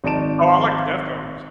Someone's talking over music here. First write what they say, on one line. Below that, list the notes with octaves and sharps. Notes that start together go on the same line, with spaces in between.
Oh, I like the Deftones.
G#1 D#4 D5 A5 D7 E7